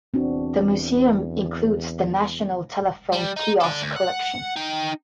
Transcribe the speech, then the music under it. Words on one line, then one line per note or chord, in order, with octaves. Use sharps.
This museum includes the National telephone kiosk Collection.
E2 C4 D4 F#4
G3
D#4
A4 D5
D2
F#5
D#4 G5